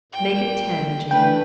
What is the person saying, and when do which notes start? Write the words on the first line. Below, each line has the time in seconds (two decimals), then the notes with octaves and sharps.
"Make it ten, Jane."
0.12 A#2 G5
1.11 E3 A3 D4 B4 G5